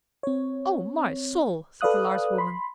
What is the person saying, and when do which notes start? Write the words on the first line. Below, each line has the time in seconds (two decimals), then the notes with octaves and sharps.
"O my soul!" said the large woman.
0.23 C4 C#5
1.81 A4 B4 D5 F5 D#6 F#6
2.38 B5 C6